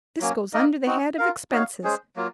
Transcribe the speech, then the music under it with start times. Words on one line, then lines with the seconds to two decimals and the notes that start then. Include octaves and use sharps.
This goes under the head of expenses.
0.20 F#3 A#3 C#4
0.53 A#3 D#4 A#4 D#5
0.86 C4 D#4 F#4
1.18 F4 A#4 F5
1.51 D#4 F#4 C#5 F5
1.83 G#3 C#4 G#4 C5
2.16 F#3 A#3 F4